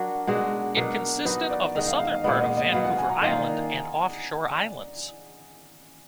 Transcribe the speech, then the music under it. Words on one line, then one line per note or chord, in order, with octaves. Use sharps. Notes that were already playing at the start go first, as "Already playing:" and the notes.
It consisted of the southern part of Vancouver Island and off-shore islands.
Already playing: F#3 D4 F#4 A#4
B2 G#3 D4 F#4
B2 F#3 D4 A#4
F#3 B3 D#4 F#4 B4
D5
D#3 G#3 D#4 F#4 D#5
F5
F5
D#5
A#2 G#3 B3 D#5
D#5
D#5
B2 F#3 B3 F5
F#5
G#5
A#5
D#3 A#3 F4 D#5
D5